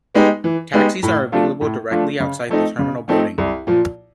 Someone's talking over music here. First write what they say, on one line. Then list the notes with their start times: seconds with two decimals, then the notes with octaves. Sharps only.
Taxis are available directly outside the terminal building.
0.15 G#3 B3 D#4 G4
0.44 E3
0.73 G#3 B3 D#4 G4
1.03 A2
1.32 F3 A3 D4 F4
1.61 A2
1.91 F3 A3 D4 F4
2.20 C#3
2.49 F3 A3 C4 D#4
2.79 C#3
3.08 F3 A3 C4 D#4
3.38 C2
3.67 A#2 F3